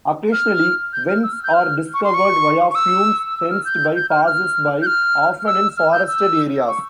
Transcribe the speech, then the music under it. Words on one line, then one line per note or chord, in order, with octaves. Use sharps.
Occasionally, vents are discovered via fumes sensed by passers-by, often in forested areas.
F6
G6
F6
E6
F6
G6
F6
C#6
C6
C#6
C#6
E6
E6
F6
G6
G6
F6
F6
G6
F6
E6
F6
G6
E6
C#6